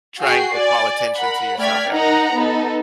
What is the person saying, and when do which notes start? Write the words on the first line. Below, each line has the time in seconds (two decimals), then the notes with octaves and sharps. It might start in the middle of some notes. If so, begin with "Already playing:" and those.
trying to call attention to yourself ever?
0.20 F#4 G#4 G5 C7
0.53 D5 G#5
1.16 A#4 F#5 B5
1.58 A3 D5 G5 F6 G#6 B6
1.89 D#4 A#4 F#5 A#5
2.35 B3 D#4 A4